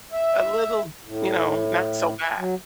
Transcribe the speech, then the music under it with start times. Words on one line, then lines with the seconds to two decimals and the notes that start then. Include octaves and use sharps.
a little, you know, not so bad.
0.12 E5
1.05 A2
2.38 F#3